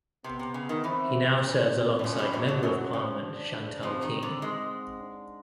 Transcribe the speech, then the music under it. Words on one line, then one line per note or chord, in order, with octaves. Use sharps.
He now serves alongside Member of Parliament Chantel King.
C3 B3
C3
C#3
D#3
E2 E3 C4
C#4
C4
E3
F2 F3 C#4
G2 G3
F#2 F#3 D4
F#2 F#3
F#2 F#3 C#4
F2 F3
D4
F2 F3 C4
D#3
D3
G#2 G#3
D4